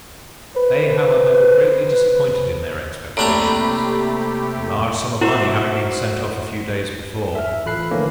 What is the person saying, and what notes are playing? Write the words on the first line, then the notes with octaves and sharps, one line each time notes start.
They, however, were greatly disappointed in their expectations, a large sum of money having been sent off a few days before.
B4 C5
A2 C3 A3 A#3 D4 G4 A#5 B5
E4 F#4 C5 E5
E5 F6
A1 F4 A4 B5 F#6 C7
D3 E3 F3 A3 A#3 C#4